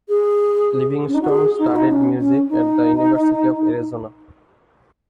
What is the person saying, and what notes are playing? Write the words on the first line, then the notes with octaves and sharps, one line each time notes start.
Livingston studied music at the University of Arizona.
G#4
C#4
D#4
F#4
G#4
D#4
F#4
D#4
C#4
C#4
D#4